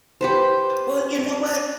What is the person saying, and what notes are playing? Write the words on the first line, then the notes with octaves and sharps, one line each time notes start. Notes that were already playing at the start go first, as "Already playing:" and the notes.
Well, you know what?
G4 B4 C5